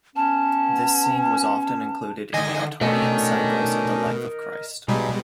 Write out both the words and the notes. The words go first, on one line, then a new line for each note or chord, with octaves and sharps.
This scene was often included in Ottonian cycles of the Life of Christ.
B3 C#4 A5
D3 D#3 D#5 G#5 A#6
B2 A3 C#4 D4 A#4 D#5
B1 B2 G3 G#3 D#4 B4 G#5